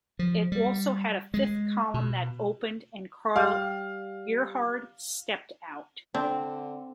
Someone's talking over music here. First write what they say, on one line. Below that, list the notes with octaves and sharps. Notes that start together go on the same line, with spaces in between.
It also had a fifth column that opened and Karl Gerhard stepped out.
F3
G3
G#3
B2
G3 F5
D3 C4 D4